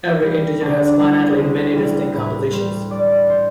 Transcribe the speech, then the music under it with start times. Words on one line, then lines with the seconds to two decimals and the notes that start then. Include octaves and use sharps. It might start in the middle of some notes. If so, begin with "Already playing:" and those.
Every integer has finitely many distinct compositions.
0.22 G3 G4
0.61 D2 D4
0.93 F#4
0.99 G3 E4
1.37 D2
1.75 G3 E4
2.14 A2 B4
2.52 G3 C5
2.91 G3 D5
3.30 C5